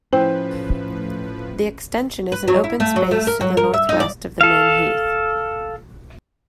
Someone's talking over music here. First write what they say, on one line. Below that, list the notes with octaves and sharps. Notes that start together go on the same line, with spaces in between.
The Extension is an open space to the north-west of the main heath.
A2 F3 C#4 E4 B4 C5 G5
B4
F#3
E4
A3
F#3
A3
A#4
F#3
A#4
E5
D#4
D5
A4 F5